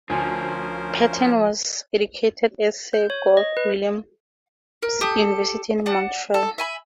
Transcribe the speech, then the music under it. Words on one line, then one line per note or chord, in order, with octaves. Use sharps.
Patten was educated at Sir George Williams University in Montreal.
D2 F3 C#4 A#4 C5 G#5
G6
C#5
D#5
B4
A#4
G4 A4 D#6
D5 F#5 A5
A4
E5 G#5 B5